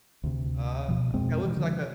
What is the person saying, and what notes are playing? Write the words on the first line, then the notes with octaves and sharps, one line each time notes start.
Uh, Katt Williams like a
D2 C3
D2 B2 F3
F2 B2 G#3 C4
B2 E3 G#3
D3 D#3 F3